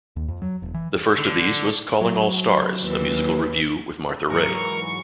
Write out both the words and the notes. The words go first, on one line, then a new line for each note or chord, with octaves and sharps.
The first of these was "Calling All Stars", a musical revue with Martha Raye.
D#2
F2
F#3
E1
E3
D3
F#3
D#2 E3
G#2 E3 F#3 A#4 C#6